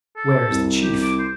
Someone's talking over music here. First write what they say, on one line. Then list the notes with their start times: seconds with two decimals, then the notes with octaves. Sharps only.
"Where is the chief?"
0.16 A4
0.51 C2
0.83 G4
1.02 D6
1.19 C5